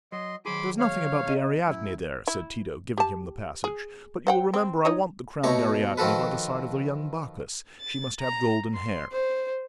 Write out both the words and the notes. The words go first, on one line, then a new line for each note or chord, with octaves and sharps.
"There's nothing about the Ariadne there," said Tito, giving him the passage; "but you will remember I want the crowned Ariadne by the side of the young Bacchus: she must have golden hair."
F#3 D#5 C6
D#3 F#3 G#4 B5 C6 D6
C#5 F5
C3 D#5
F#2 E4
E4
G4 A5
G#4
C5 F#5 G5
C4
D#4 C#5 D#5
B2 A3 D#4 C#5 C#6
D#3 F3 F#4 A4 B4
A6
A#5
C6
C5